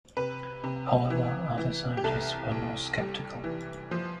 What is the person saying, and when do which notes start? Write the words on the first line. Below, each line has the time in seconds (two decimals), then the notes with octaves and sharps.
However, other scientists were more skeptical.
0.17 C3 B4
0.64 C3
1.10 E3
1.58 E3
1.97 G4
2.04 C2 A4
2.51 C2
2.98 G3
3.44 E3
3.91 F3